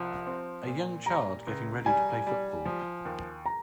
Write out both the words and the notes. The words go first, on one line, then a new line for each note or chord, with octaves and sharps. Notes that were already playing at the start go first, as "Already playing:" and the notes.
A young child getting ready to play football.
Already playing: C2 F3
C4
A#2
G3 A#5
C#2
G3 G#5
G3
F3
D#2
A#5